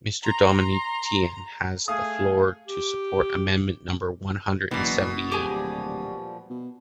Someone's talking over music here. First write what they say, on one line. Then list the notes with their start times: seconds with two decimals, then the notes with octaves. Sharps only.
Mr. Dominique Tian has the floor to support amendment number one hundred and seventy-eight.
0.24 A#5 C6
1.88 A3 G#4 F5 D#6
2.67 G4
4.71 F#1 B2 E3 A#3 B3 B4 D5
5.31 D1 A#2 F3 G3 G4 G#4 G#5
6.50 B2